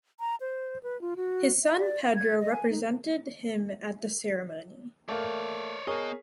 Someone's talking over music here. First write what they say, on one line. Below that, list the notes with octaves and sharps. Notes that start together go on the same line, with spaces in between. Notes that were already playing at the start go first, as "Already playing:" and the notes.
His son Pedro represented him at the ceremony.
A#5
C5
B4
F4
F#4
E5
D5
F5
G#6
D#5
G#5
D#4
A3 A#3 C#5 D5
B3 G#4 A#4 C#5 D#5